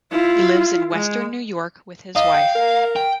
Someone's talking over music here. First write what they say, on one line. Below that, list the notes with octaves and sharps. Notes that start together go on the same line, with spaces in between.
He lives in western New York with his wife.
E4 F4
G#3
D#5 F5
G5
A#4
G5